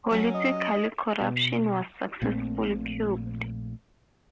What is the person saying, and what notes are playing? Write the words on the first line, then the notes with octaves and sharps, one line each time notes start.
Political corruption was successfully curbed.
F#3 C#4 C#5
D#5
B2
A#1 A#2 A3 C4